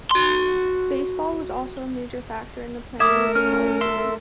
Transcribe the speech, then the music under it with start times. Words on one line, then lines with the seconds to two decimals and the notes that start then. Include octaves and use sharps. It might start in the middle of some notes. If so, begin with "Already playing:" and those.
Baseball was also a major factor in the planning of the Coliseum.
0.11 F#4 C6
3.00 A3 A#4 E5 D6 D#6 G#6
3.35 C#4 F6
3.81 A4 E5 C6